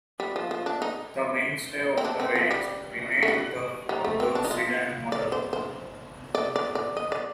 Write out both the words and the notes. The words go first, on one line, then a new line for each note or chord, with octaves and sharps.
The mainstay of the range remained the four-door sedan model.
G3
F3
F3
D4
D#4
C4
D4
C4
F3
G3
A3
G3
G3
A3
C4
D4
D#4
F4
D5
C5
C5
D5
D5
D5
D#5
D5